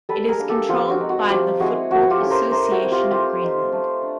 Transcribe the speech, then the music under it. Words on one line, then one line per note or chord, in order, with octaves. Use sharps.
It is controlled by the Football Association of Greenland.
G3 A4 B4
G#4 A#4
A#3 D4
G4 A4
F3 F4 G4
F#4
G#3 C4 D#4
F#4
F3 F4 G4
G#3 C4 E4 F#4 G#4
F3 F#4
F4 G4
A3 C#4 E4
A#4 C5
A3 A#4 C5
F#4
C4 E4
F4 G4
A3 F4 G4
C4 D#4
A3
D4